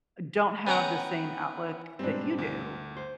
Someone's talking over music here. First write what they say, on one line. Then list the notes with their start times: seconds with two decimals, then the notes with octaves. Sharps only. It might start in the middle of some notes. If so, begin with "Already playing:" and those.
don't have the same outlook that you do?
0.67 B3 C#4 F#5 G5 A#5
1.99 G#2 B2 G3 C4 D4
2.38 D2
2.96 C5